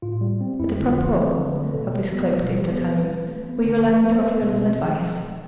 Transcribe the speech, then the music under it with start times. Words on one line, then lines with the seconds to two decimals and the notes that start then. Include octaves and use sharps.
"But a propos of this cloak, dear D'Artagnan, will you allow me to offer you a little advice?"
0.02 A2 F4
0.21 G3
0.41 C4
0.60 F2 E4
0.79 D3
0.88 F4
0.98 F3
1.17 C4 A4
1.36 D3
1.46 B4
1.55 A3
1.74 B2 A4
1.94 G3
2.13 B3
2.32 B2 F4
2.46 F4
2.51 G3
2.61 G4
2.70 B3
2.75 A4
2.89 C4 B4
3.08 E3
3.28 A3
3.46 B3
3.65 D3
3.85 F3
4.03 B3 B4
4.12 C5
4.20 B3 B4
4.42 B2
4.60 C4
4.80 F3